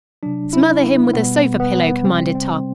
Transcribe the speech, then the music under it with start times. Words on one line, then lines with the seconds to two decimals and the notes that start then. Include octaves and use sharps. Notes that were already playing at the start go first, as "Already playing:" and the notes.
"Smother him with a sofa pillow!" commanded Tom.
0.23 C3 F#3 D4
0.53 E4
1.14 B2 G3 B3
1.60 B3
2.04 C3 G3 C4
2.35 C4